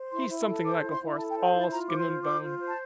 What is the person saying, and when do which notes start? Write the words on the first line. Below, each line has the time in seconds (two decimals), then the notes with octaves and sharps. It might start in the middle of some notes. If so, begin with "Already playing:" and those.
He's something like a horse--all skin and bone.
Already playing: C5
0.11 E4 C6
0.29 E4
0.46 A4
0.64 C5 D6
0.81 E4
0.91 C6
1.00 E4
1.17 A4 A5
1.31 G5
1.35 C5
1.44 G5
1.53 E4 A5
1.70 F4 A#5
1.88 C5 D6
1.97 C6
2.06 F4
2.23 C5 D6
2.42 F4
2.59 C5
2.70 A5